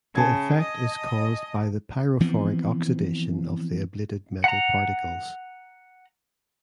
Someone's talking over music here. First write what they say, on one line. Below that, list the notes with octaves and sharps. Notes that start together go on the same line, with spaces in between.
The effect is caused by the pyrophoric oxidation of the ablated metal particles.
C#3 G#5 A5 G#6
D#5
E3 F3 B3 C4
F#5 A#5